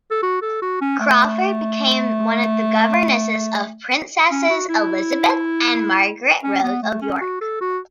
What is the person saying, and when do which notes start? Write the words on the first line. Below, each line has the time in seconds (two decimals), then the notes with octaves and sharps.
Crawford became one of the governesses of Princesses Elizabeth and Margaret Rose of York.
0.11 A4
0.22 F#4
0.42 A4
0.62 F#4
0.81 C#4
1.00 A3
4.31 C#4
4.50 F#4
4.69 E4
6.43 C#4
6.63 B3
6.83 A3
7.02 C#4
7.21 F#4
7.41 A4
7.61 F#4